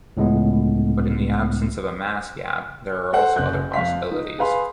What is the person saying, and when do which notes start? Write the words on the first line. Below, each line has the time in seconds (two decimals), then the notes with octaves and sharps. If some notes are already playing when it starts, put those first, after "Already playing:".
But in the absence of a mass gap, there are also other possibilities.
0.17 C#2 A2 G#3 B3
3.13 A4 C5 F#5
3.36 F#1 F#6 G6
3.73 F2 F5 B6
4.11 D#4
4.39 G#4 B4 F5 B5 C6